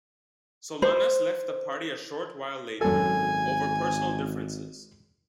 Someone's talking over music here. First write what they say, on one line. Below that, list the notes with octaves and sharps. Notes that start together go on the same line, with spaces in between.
Solanas left the party a short while later over personal differences.
C5
G#1 F#2 A4 G#5